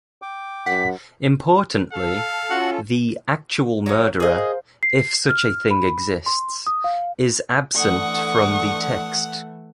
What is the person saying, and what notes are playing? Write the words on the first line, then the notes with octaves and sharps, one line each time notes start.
Importantly, the "actual murder," if such a thing exists, is absent from the text.
G5 D6
F#2 F#5 B6
A4 F5
C#4 F4 F#4 F#5
F#3 A#3 C#4
G#4 A#4 C5 D#5 F5
C7
F6
B5
C6
D#6
F5
D3 E3 A3 F#5 C#6 D#6